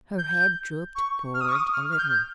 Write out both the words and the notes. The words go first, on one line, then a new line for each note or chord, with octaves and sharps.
Her head drooped forward a little.
G6
C#6
F6
D#6
C#6
D#6
F6
F6
G6